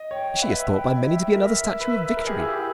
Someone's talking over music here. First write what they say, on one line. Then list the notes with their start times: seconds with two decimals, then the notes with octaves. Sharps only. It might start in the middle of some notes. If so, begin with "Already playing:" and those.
She is thought by many to be another statue of Victory.
Already playing: D#5
0.11 C#5 G5
0.42 B4 E5
0.73 G5
0.97 D#5
1.03 E5
1.34 A#4 E5
1.80 B4
2.17 A#4
2.27 G4 G#4
2.39 E4
2.53 G4